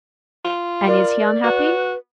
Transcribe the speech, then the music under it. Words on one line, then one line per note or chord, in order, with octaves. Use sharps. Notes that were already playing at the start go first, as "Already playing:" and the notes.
And is he unhappy?
F4
A#4 D5
F#4 B4